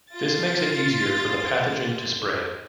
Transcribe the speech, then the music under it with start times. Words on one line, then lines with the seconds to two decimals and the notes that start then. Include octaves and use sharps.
This makes it easier for the pathogen to spread.
0.13 F4 A6